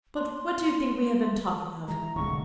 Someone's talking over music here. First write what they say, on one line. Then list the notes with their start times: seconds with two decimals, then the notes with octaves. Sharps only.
But what do you think we have been talking of?
0.16 C6
1.88 E3 G#3 A#5
2.16 D1 C2 G#3 C#6